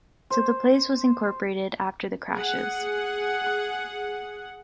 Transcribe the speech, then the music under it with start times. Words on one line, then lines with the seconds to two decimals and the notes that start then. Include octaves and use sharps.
So the place was incorporated after the crashes.
0.30 C5
2.32 G#4 F#5